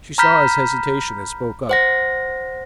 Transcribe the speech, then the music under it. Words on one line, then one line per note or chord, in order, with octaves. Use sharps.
She saw his hesitation and spoke up.
A#5 B5 F6 G6 B6
C5 F#5 A#6